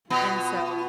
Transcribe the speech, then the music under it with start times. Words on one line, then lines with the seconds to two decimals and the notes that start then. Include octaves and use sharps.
and so,
0.10 B2 B3 F4